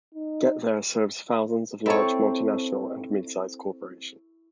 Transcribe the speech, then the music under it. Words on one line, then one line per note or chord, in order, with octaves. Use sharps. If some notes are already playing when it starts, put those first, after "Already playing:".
GetThere serves thousands of large multinational and mid-size corporations.
D#4
C4 E4 A4 C#5 C#6